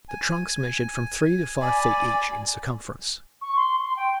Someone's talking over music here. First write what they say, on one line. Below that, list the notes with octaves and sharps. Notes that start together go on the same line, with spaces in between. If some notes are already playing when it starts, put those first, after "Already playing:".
The trunks measured from three to five feet each in circumference.
G#5
D5 G#5 B5
C#6
C6
C6
G5